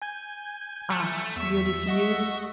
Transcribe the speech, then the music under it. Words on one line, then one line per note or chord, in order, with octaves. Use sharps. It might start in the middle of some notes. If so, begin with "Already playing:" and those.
Ah, you refuse?
G#5 G6 G#6
A3
E2 E5 C#6
D#5 F#5 C#6